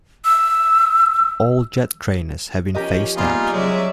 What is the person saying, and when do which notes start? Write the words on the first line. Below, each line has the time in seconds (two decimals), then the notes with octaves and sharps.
All jet trainers have been phased out.
0.25 E6
2.75 F3 C#4 G4 A#4 D#5
3.17 G3 A#3 B3 D#4 F4 G#4
3.52 C#3 F#3 G#3 D5 E5